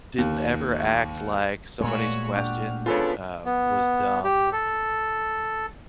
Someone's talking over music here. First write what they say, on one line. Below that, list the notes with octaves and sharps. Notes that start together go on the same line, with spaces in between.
didn't ever act like somebody's question, um, was dumb,
D#2
A#2 G#3 A3 F#4 C#5
D4 F#4 G4 F6
C#3 F3 B3 D4 F4 A4 B4 C#5
B3
G4
A4